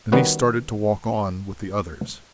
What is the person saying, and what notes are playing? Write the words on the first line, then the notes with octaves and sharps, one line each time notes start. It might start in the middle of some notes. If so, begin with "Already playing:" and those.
Then he started to walk on with the others.
D#3 G3 B3 C#4 F#4